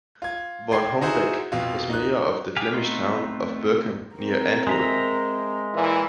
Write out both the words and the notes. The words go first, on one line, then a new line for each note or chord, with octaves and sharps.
Van Hombeeck was mayor of the Flemish town of Berchem, near Antwerp.
F4 G#6
D5 G5 C6 G#6 C7
D#4 E4 F#4 G#4 C5
F2 B2 F4
D#4 F#6
G4 G#4 F5
A3 B3 C4 D#4 F4
C4 A#4
G#3 E5 A#5
A#2 E3